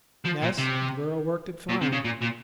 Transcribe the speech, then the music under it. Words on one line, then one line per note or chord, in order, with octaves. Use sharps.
"Yes; the girl worked it fine."
F3
A#2
C3
A#2
C3
C#3
A#2
A#2